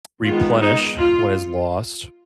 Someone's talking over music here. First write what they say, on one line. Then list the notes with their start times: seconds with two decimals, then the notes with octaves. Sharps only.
replenish what is lost,
0.24 D#3 G#3 B3 F4
0.61 D#4
0.98 F4